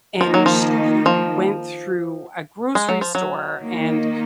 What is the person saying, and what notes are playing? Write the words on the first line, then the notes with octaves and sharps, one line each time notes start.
and she went through a grocery store, and,
D#3 F3 A#3 D#4
F#3
F3
F3
G#3
F#3
F3
F#3
D#3 A#3 D#4